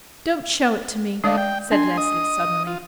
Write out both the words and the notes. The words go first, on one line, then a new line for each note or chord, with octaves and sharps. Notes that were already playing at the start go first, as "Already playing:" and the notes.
"Don't show it to me," said Leslie suddenly.
G#3 A3 D4 D5 D#5 F5
G5
D4 G#5 C6
D#5 D#6
F4